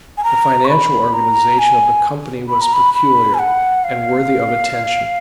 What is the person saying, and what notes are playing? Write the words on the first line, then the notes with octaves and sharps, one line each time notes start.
The financial organization of the company was peculiar and worthy of attention.
G#5
A#5
C#6
B5
A#5
G#5
B5
A#5
B5
B5
G#5
F#5
F5